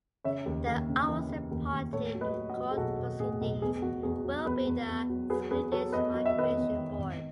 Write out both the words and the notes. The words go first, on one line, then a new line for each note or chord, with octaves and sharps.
The opposite party in court proceedings will be the Swedish Migration Board.
C#3 C#5 E5
D#2
D#2
C#3
E3
C#3
D#2
D#2
A2 A4 C#5
F#3
B4 D#5
F#3
D#5 F#5
F#3
G#4
B1 F#4 A4
B1
A2 G#4
B1
E2 G#4
E2 F#4
E2 G#4
F#3
E2 G#4 B4
E2
E2
F#3
F#3 G#4 B4
E2 G#4 B4
F#3 A4 C#5
E2 B4 D#5
F#3 D#5
E5
D#3 B4 D#5
E2
D#3
G#1